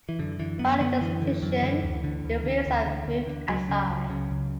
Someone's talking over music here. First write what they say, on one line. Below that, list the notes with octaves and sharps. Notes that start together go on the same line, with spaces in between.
While in this position the wheels are moved aside.
E3
F#2 D3
D3 E3
F#2 B3
D3 B3
F#2 E3
D3
F#2
D3
D2
D3
D2
D3
D2
D3
D2
D3
C#2 F#3
C#3
C#2
C#3
C#2